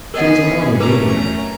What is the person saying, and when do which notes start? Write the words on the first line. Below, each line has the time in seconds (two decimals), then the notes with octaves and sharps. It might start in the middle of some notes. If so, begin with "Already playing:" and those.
She was a monomaniac.
0.14 A#3 B3 C#4 G#4 A#4 D#5 F#5
0.80 F#3 A3 C#4 A#4 B4 A#5 D6